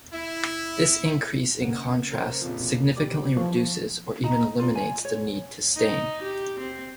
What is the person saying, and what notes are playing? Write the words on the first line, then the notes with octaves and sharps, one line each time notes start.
This increase in contrast significantly reduces, or even eliminates the need to stain.
E4
C#3 A#3 F#5
A#4 C5 C#5
A#1 F2 F3
B2
G3 D5 D6
E3 F3 C#6
D#4 A#5
F4 D5
G#5
C#5
D#4
G4
C4